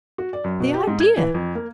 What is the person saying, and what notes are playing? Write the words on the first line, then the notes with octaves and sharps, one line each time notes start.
The idea!
F#4
D5
F#2
B2
G4
G#2
G#6
E3
F2
A#3